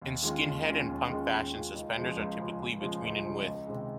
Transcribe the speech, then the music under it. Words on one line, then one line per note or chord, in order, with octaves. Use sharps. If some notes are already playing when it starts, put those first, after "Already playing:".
In skinhead and punk fashion, suspenders are typically between in width.
D#2
D#3 G#3 C#4 F4
D#2
D#3 G#3 C#4 F4
D#2
D#3 G#3 C#4 F4
D#2
D#3 G#3 C#4 F4
C#2
C#3 F3 G#3
C#2
C#3 F3 G#3
C#2
C#3 F3 G#3
C#2
C#3 F3 G#3
C#2
C3 D#3 G#3